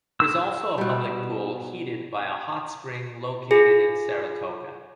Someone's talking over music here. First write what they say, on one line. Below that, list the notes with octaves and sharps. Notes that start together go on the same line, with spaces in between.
There is also a public pool heated by a hot spring located in Saratoga.
E6
B2 G3
F4 G#4